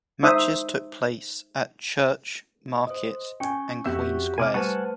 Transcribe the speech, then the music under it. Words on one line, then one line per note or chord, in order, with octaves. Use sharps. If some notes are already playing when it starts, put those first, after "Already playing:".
Matches took place at Church-, Market and Queen Squares.
D#4 C5 E5 D#6
C5 D#5 D#6
C#4 G5 G#5 C#6 C#7
F2 F#4 G4 E5
C3 D5 G#5 D6 F6
G3 A3 B4 C5 F#5 G#5 A5 C#6